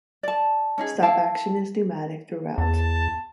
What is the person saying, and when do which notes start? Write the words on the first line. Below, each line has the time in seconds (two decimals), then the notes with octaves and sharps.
Stopaction is pneumatic throughout.
0.23 D5 A5
0.78 C#4 D#4 G#4
1.03 E4 F5 G5 A5
2.58 E2 A5